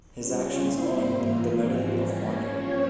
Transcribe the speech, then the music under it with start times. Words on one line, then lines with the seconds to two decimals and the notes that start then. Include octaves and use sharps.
His actions earned the Medal of Honor.
0.17 C#3 G3 C#4 F4
0.60 G2 G3 A#3 E4 C5
1.03 G#2 E3 A#3 F4
1.46 G#2 F3 G#3 C4
1.90 E3 G3 A#3 C#4
2.32 G2 F3 C4 C#4 C#5